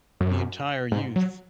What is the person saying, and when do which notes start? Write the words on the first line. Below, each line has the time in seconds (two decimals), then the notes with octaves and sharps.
the entire youth
0.21 F#2
0.92 G#2
1.16 F#3